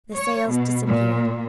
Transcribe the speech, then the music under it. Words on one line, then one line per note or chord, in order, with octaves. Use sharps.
The sails disappeared.
C#5
B2
A#2